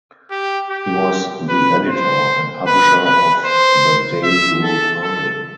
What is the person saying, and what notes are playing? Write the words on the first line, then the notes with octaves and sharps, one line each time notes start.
He was the editor and publisher of the "Daily Rupali".
G4
G4
B4
C5
B4
B4
C5
E5
A4
A4